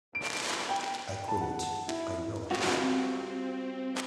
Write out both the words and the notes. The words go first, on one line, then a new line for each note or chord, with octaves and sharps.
I couldn’t, I know.
D7
G5
A5
F#5
E4
G3 C4 F4 F#4